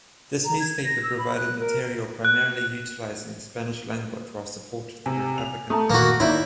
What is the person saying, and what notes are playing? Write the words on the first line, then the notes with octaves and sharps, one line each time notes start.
This newspaper provided material primarily utilizing the Spanish language while supported the Republican Party.
A#5
G#6
A#6
E6
B5
F#6
A#4
F#6
C3 G#5
F7
A3 A5 A#5 D#6
F2 A#2 D#3 A#3 F#4
D#3 A#3 E4 C#5 D5 G6